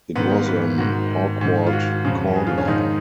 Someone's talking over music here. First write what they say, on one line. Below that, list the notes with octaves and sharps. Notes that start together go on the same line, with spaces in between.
It was an awkward corner.
G#2 D#3 B3
A#3
B3
G#2 D#3 F#4
G#2 D#3
F4
F#4
F2 C#3
G#4
F4
C#4
G#2 D#3 D#4